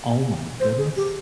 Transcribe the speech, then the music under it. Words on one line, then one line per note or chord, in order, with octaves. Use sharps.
Oh my goodness.
C5
G#4
G4